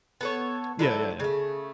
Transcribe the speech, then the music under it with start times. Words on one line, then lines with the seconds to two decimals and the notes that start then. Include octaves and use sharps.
Yeah, yeah, yeah.
0.21 B3 A4 C#5
0.79 D3 F#3 E4 A4
1.20 C#3 A3